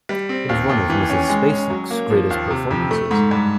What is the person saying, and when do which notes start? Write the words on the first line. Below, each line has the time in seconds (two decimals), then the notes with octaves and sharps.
It is one of Ms. Spacek's greatest performances.
0.09 G3
0.29 C4
0.49 D#2
0.69 D#2
0.90 E3
1.10 C#4
1.29 G#3
1.50 C#4
1.70 F#3
1.90 A#3
2.10 F3
2.30 D#2
2.51 C3
2.71 F2
2.91 A3
3.11 G#2
3.31 G2